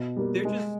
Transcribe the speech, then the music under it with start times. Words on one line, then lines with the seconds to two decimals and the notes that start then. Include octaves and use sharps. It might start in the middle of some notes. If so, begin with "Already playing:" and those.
They're just
Already playing: B2
0.17 G3 A#3
0.45 G#3